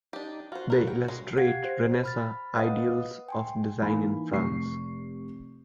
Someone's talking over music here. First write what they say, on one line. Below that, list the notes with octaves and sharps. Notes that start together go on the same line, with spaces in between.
They illustrate Renaissance ideals of design in France.
D4 D#4 G4
F4 F#4 C5
A#4 B4
G5
G#3
G4 F5 F#5 G#6 C7
C5
B5 F6 A6
B4 D#5 F5 F#5 D#6
G5 G#5 C6
E3 A#3 D#4 F5 G#5 B5
F1 C#6 C7